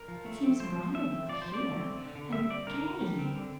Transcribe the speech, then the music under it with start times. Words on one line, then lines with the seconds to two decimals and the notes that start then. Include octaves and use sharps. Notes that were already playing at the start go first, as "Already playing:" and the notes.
It seems bright enough here, and gay.
Already playing: A#4
0.08 F3
0.26 A3
0.43 C4
0.60 F3 C5
0.78 F3
0.94 A3 E5
1.12 C4
1.29 F3 D5
1.42 F3 C5
1.54 D5
1.63 A3
1.80 C4
1.98 D3
2.15 D3
2.32 G3 E5
2.50 C4 D5
2.67 D3 A#4
2.85 D3
3.01 G3
3.19 C4
3.35 D3